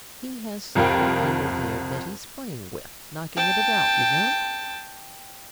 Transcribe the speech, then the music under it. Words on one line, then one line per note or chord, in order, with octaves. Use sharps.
He has something under there that he's playing with, knocking it about, you know.
C2 F2 F4 A#4 G5
G5 A5